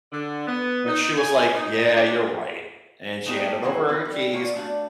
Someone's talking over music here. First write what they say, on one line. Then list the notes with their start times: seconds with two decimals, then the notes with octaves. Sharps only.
and she was like, "Yeah, you're right," and she handed over her keys,
0.12 D3
0.47 B3
0.86 D#4
1.16 G#5
1.55 D#4
1.95 D4
3.26 A3 B3 D4 D#4 G4 A#4
3.63 E3 F#3 B3 C4 E4 F#4
3.88 C4 F4 B4
4.05 G3
4.33 A3 A#3 F4 F#4 C#5 D5
4.56 A3 D4 F5